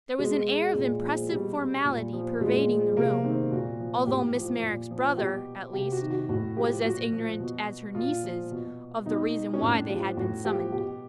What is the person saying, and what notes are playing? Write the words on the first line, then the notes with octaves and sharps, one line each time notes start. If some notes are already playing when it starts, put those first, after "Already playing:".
There was an air of impressive formality pervading the room, although Miss Merrick's brother, at least, was as ignorant as her nieces of the reason why they had been summoned.
B2 G#3
A#2
F3
B2 G3
A#2
F3
A#2 G#3
F3
C3 A#3
D#3 C4
A#2 F#4
F3
A2 G4
F3
A#2
F3
B2 G4
C3 G4
F#4
D#3
F#4
A2 F#4
F3 G4
A#2 F#4
F3
B2
A#2 F4
F3
B2
B2 D#4
C#4
A2 D4
F3 G4
A2 F#4
F3 G4
B2 G4